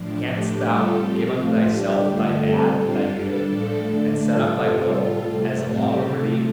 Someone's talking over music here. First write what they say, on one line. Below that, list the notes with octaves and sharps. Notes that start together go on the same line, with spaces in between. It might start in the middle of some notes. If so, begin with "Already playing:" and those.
Canst thou give unto thyself thy bad and thy good, and set up thy will as a law over thee?
Already playing: A2 F3 D4
A2 A3 D4 G4
G3 F4 A4
F3 C4 G4
A2 A3 F4
G3 D4 G4
D3 A3 F4 A4
G3 C4 A4
G3 D4 F4
G3 D4 A4
A2 F3 D4 A4
D3 A3 D4
A2 G3 F4 A4
C3 G3 F4 A4
A2 G3 F4 A4
C3 F3 A3
A2 G3 C4 G4
C3 F3 A3